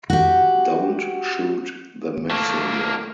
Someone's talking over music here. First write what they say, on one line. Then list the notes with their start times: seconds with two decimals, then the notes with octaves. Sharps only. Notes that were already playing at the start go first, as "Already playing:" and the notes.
Don't shoot the messenger.
0.10 F#4 G4
2.31 A3 A#3